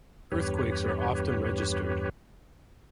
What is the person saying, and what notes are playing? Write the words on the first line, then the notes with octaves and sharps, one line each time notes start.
Earthquakes are often registered.
E2 G2 G4 B4 C#5